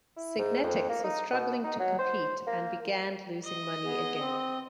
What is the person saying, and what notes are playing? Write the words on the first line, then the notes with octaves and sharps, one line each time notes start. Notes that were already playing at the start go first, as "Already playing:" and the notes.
Signetics was struggling to compete, and began losing money again.
E4
G#2
F2
A#3
D#4
B2
D#4
F#3
C5
A#3
D#5
B3 G#4
C4